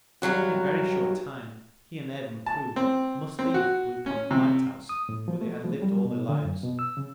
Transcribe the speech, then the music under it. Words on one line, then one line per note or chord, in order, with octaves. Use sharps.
In a very short time he and Ev and Prue must leave Blue Point lighthouse, where they had lived all their lives.
G2 D#3 F#3 F#4
A5
C4
C4
F#4
C#4
C3
D#6
A2
F3
A3
F3
G3
B2
D3
F#2
B2
E6
C#3